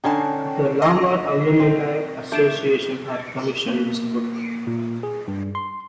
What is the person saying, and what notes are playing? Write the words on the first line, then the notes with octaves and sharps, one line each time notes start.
The Lamar Alumni Association had commissioned this book.
D3 C#4 D#4 G5 A5
D#5 A#6
C4
A3 D4 G6 D7 E7
A#3
A#2
G#4
G2
C6